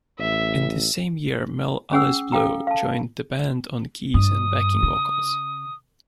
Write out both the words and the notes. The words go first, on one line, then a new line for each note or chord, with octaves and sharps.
In this same year, Mel Allezbleu joined the band on keys and backing vocals.
A1 E5
C#4 G#4 F#5 D#6 E6
A4 F5 G5 A#5
F5 A5
G2 D#6
C#3